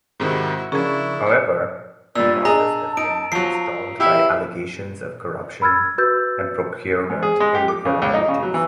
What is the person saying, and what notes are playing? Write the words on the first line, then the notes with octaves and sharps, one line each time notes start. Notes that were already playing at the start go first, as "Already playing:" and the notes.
However, the process has been stalled by allegations of corruption and procurement irregularities.
G#2 C3 D#3 E4 F#4
C#3 F3 D4 E4 G#4 A#4 C#6
G2 A#2 D5 E6
D4 G#4 D#5 A5 A#5
D#4 D7
F3 F#3 C7
E4 G4 E5 F5
B5 E6 F6 G#6 A6
F#4 B4 E6 G6 A6
G#2
G#4
G#3
G4
D6
C#3
C#2
D#4
C#3
F#3
E3